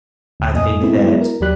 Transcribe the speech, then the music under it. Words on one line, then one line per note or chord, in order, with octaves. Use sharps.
I think that
D2
F2 A#2 D#5 G#5 D#6
G#3 A3 B3 C4 E4
F#3 G#3 B3 E4
A#4
D#2 F#3 G4 D5 B5 F#6